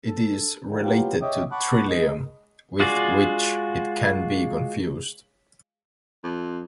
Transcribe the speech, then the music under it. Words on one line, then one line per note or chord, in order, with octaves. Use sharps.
It is related to "Trillium", with which it can be confused.
A4
D3 D#3 F3
F#3 B3 F4 G4
C#5 D#5 E5 G5 D6 D#6
F#5 A5 B5 C#6 D6 F#6
G#3 D#5
G#3 F4 F#4 G#4 D5
F2